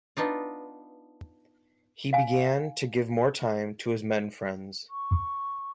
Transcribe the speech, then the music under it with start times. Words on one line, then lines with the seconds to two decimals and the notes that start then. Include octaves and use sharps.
He began to give more time to his men friends.
0.17 B3 D4 D#4 F4
2.13 F5 G#5
4.90 C#6